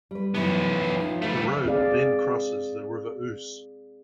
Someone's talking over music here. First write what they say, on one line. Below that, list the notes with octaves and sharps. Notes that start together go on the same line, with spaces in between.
The road then crosses the River Ouse.
G3 B4
F#2 E3 F3 B3 C#4
F3 D#4 F4
D3 G3 A3 B4 F5
C4 G#4 D5 F5